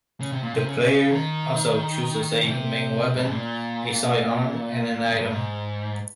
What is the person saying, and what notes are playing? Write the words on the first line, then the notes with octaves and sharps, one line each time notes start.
The player also chooses a main weapon, a side arm, and an item.
C#3
C3
A#2
C3
C#3
D#3
C3
G2
G#2
A#2
G#2
G2
G#2